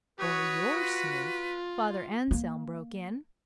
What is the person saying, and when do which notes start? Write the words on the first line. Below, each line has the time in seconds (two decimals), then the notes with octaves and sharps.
"For your sake?" Father Anselm broke in.
0.20 F#4 B4 C#5 D#6
0.79 F4
2.31 A#3